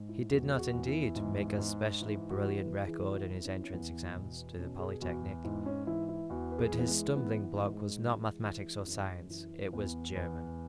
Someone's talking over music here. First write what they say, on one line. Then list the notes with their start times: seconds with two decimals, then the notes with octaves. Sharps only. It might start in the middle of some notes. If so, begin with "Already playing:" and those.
He did not, indeed, make a specially brilliant record in his entrance examinations to the Polytechnique; but his stumbling block was not mathematics or science, it was--German!
Already playing: G#2
0.09 E4
0.30 E2 F#4
0.50 G#4
0.59 F#4
0.73 E2
0.87 E4
1.16 G#2
1.58 G#2
2.01 E3 E4
2.30 F#4
2.44 E3
2.59 B4
2.87 E3 G#4
3.11 F#4
3.15 E4
3.30 E3
3.44 C#4
3.64 C#4
3.73 E2 B3
4.16 B2
4.59 B2 C#4
4.79 G#4
5.02 E2 F#4
5.44 G#2 E4
5.66 C#4
5.87 E3 E4
6.09 E4
6.30 E2 F#4
6.52 B4
6.58 G#4
6.73 E3
6.79 B3
6.88 G#3
7.16 E3 B3
7.44 B3
7.58 G#2
7.73 G#3
8.01 E3
8.44 E3
8.87 F#2
9.30 E3
9.73 E2 B3
10.15 E2 B3